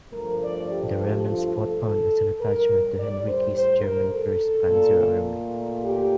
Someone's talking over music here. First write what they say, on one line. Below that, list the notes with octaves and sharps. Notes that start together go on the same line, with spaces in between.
The remnants fought on as an attachment to Heinrici's German First Panzer Army.
G2 F3 A3 A#4
D5
G4
F4
A4
A4
A2 G3 A#4
D5
C5
C5
A#4
A4
A#2 A3
G4